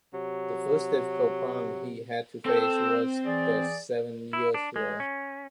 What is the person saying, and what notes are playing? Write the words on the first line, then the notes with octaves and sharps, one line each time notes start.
The first difficult problem he had to face was the Seven Years' War.
C3 F#3
C4 A4 G5 E6
E3 G#4 D5
E4
D4
G#3
C#4